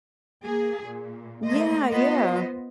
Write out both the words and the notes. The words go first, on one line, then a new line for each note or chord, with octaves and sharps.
Yeah, yeah.
A#3 G#4
A#2
A3 A#3 C5 D#5
B3 F4 C5 D#5